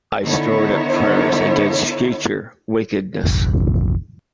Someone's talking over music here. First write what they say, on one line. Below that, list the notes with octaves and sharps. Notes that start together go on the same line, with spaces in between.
I stored up prayers against future wickedness.
D3 D#3 B3 D#4 E4 C#5
F1 A#1